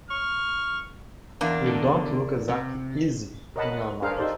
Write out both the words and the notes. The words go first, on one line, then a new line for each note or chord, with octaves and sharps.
You don't look exactly easy in your mind.
C#6 F6
E2 A#3 D4
B2 D3
C3
A#4 C#5 D#5 F#5 A5 B5
F#5
D4 G#4 A#4 C5 F5
D#4 G4 A4 C5 D5